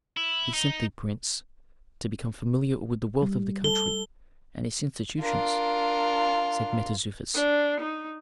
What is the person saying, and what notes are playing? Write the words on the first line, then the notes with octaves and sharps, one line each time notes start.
"He sent thee, prince, to become familiar with the wealth of the country and its institutions," said Mentezufis.
E4
D#4
G3
A4 G7
D4 F4 A#4
D4
D#4